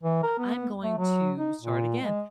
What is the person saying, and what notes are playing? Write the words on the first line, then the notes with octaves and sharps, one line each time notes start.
I'm going to start again,
E3
A#4
B3
A3
F#3
D#4
A#2
G#3